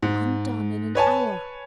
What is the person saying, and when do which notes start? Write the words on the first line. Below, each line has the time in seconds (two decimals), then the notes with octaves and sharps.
Undone in an hour!
0.03 G#2
0.95 B4 C#5 G#5 A5